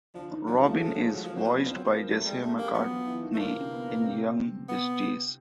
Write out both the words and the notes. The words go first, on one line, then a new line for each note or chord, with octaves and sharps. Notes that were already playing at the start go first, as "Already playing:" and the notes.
Robin is voiced by Jesse McCartney in "Young Justice".
D3 F3 D4
D#3 D#4
F3 F#3 F4
F3 A3 A4
F#3 G#4
F3 A3 A4
F#3
F3 G#3 G#4
F#3
F3 A#3 A#4
F#3 C5
F3 B3 B4
F#3
F3 C4 C5
F#3
F3 A#3 A#4
F#3 A3 A4
G3 G#3 G#4
G3 A3 G4
G3 A#3 G4
F#3 B3 F#4
F3 F4
E3 E4
D#3 D#4
A3
D3 A#3 D4
C3 C4
B3
B3
C3 C4
B3